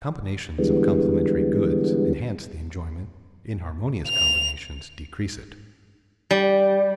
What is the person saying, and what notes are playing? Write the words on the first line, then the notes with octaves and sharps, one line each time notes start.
Combinations of complementary goods enhance the enjoyment; inharmonious combinations decrease it.
D3 E3 G3 G#3 B3
F7
G3